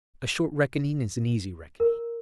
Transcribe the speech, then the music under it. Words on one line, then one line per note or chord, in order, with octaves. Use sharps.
A short reckoning is an easy reckoning.
A#4